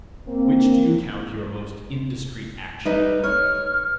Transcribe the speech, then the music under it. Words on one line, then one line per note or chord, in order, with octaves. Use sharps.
"Which do you count your most indiscreet action?"
A#3 C4
G3 D#4 B4
C#5 F6